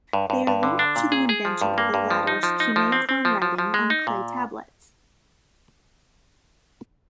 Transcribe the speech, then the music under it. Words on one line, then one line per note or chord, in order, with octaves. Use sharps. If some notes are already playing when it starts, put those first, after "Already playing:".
They are linked to the invention of the latter's cuneiform writing on clay tablets.
G2
G2
G2
D3
D4
A#2
G#4
G#4
F3
G2
A#3
G2
F3
D#4
F3
D#4
F3
C4
C4
F3
F3
F3
G#3
D#4
A#2